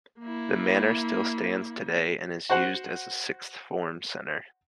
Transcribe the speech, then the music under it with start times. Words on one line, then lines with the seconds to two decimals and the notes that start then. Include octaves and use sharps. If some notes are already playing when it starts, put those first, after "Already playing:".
The Manor still stands today, and is used as a sixth form centre.
0.20 A#3 E4
2.50 F#4 C5 F#5